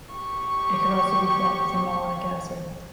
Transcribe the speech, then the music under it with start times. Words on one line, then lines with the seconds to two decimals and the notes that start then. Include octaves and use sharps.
It can also be formed from malonic acid.
0.14 G4 C#6